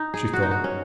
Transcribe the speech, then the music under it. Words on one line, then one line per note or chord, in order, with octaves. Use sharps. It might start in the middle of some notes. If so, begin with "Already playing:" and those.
She thought.
Already playing: D#4
G#4
F#4
D#4
F#4
C#4